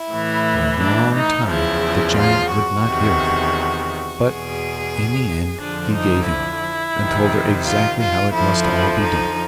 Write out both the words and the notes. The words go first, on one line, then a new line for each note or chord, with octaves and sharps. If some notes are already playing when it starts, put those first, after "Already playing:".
For a long time the giant would not hear of it, but in the end he gave in, and told her exactly how it must all be done.
Already playing: E4
A2 E3
D4
D#4
E2 C#3 F3 E4
F4
F#4
E2 C3 D#3
E2 B2 G#4
F2 D3 F3 D4
D#4
E4
F2 C3 D#3
F4
F4
F2 D3 F3 E4
D#4